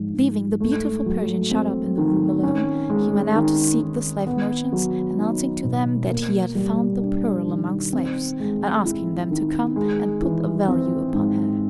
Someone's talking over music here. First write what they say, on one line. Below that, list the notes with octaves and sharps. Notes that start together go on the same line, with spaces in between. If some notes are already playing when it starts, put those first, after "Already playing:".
Leaving the beautiful Persian shut up in the room alone, he went out to seek the slave merchants, announcing to them that he had found the pearl among slaves, and asking them to come and put a value upon her.
Already playing: G#2 F3
G#2
A3
F#3
C4
D#3
C#4
G#3
D#3
D#3
B3
F#3
D#4
B2
A#3
G3
D4
D#3
C4
G#3
E4
D#3
G#3
E3
C4
G#2